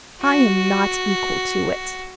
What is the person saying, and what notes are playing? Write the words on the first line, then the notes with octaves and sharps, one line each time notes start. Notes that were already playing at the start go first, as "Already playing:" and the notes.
I am not equal to it.
F#4